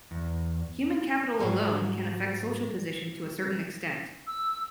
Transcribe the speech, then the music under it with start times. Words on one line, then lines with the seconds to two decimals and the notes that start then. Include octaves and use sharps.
Human capital alone can affect social position to a certain extent.
0.11 E2
1.39 G#2 F#3 G3 C4
4.27 E6